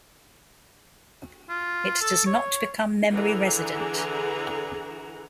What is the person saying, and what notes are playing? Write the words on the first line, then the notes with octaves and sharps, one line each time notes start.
It does not become memory resident.
F4
A4
C#5
D3 E3 G#4 F#5 A#5